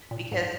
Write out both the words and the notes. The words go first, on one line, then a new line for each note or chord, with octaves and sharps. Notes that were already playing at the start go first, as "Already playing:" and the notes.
because he
A#2
G#2